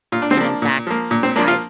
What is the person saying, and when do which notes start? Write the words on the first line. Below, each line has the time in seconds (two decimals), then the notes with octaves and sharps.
and in fact, I've
0.12 A#2 F4
0.22 D4
0.31 C4
0.37 F3 A#3 D4
0.62 A#2
0.87 F3 A#3
1.11 A#2
1.23 C4
1.36 F3 A#3 D4
1.48 F4